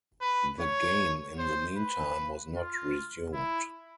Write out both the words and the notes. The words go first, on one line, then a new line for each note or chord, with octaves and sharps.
The game, in the meantime, was not resumed.
B4
C#5
C5
B4
F4
E4